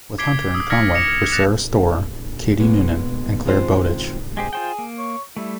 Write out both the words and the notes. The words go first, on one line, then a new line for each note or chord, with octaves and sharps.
With Hunter and Conway were Sara Storer, Katie Noonan and Clare Bowditch.
D6 G#6 B6 C7 D7 G7
D#6 E6 G#6
F6 G#6 A#6 B6 C#7
D#6 A#6 C#7 E7 F7
F6
F#6 A6 A#6 C#7 E7 F7
B2 G#3 A#3 B3
D#3 G#3 C4 F4 C5
G#3 G4 G#4 C5
F4 G#4 C5 G5
A#3
C#5
G3 A3 E4